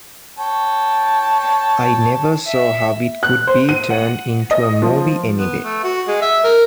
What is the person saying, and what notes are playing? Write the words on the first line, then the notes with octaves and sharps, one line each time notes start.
I never saw how it could be turned into a movie anyway.
C#5 G5 A5
E5
F#6
C5
D#7
F#5
D#5
F3
B3
A3
F#4
G#3
E5
A#4